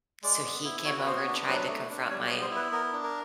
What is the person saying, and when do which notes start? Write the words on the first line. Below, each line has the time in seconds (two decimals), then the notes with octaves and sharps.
so, he came over and tried to confront my
0.23 G#3 D5
0.44 B3
0.65 E4
0.85 F#4 C#5
0.98 B4
1.06 B3 C5
1.17 C#5
1.27 D4
1.47 F#3 B4
1.68 A3
1.89 D4
2.10 G3 C#5
2.26 C#5
2.30 B3
2.42 C5
2.51 E4
2.56 B4
2.72 B3 A#4
2.93 D4
3.03 A#4